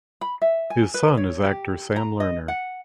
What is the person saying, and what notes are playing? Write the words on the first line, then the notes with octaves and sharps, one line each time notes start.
His son is actor Sam Lerner.
B5
E5
G#5
B4
C#5
G4
A#5
D#5
F#5